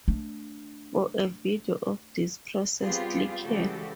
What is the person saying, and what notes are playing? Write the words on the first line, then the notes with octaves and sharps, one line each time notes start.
For a video of this process click here.
A3 D4
G3 B3 C4 F4 G4 G#4
C#3 E3 G#3 F#4 G4 A4